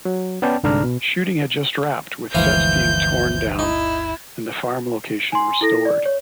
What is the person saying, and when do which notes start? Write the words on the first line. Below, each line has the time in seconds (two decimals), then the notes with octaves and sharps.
Shooting had just wrapped with sets being torn down and the farm location restored.
0.05 F#3
0.42 B3 C#4 D5 G5 A5
0.63 C2 G#2 D3 D4 A#5 F6
0.84 B2
2.35 G1 D2 E3 F3 G#3 F5 G6
3.59 D#4 E4
5.32 G#5 C6
5.61 E4 A4 A#6
5.85 D5
6.06 C#5